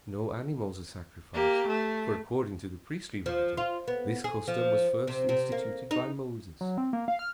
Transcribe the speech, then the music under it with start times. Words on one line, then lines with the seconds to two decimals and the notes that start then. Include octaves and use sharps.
No animals are sacrificed, for according to the priestly writer this custom was first instituted by Moses.
1.34 A#3 G4
1.67 A3
3.26 F3
3.57 F4
3.88 B3
4.24 G#4
4.48 F3
5.07 C3
5.29 C3
5.52 A#3
5.91 D#4
6.61 F#3
6.78 C4
6.93 A#3
7.08 F5
7.19 F6